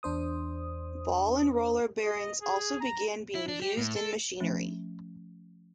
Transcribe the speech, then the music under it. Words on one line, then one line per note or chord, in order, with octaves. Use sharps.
Ball and roller bearings also began being used in machinery.
E2 D4 C5 D#6
D#5
G#4
A#5
E4
D4
G4
A2
A4
F3 A3 C#4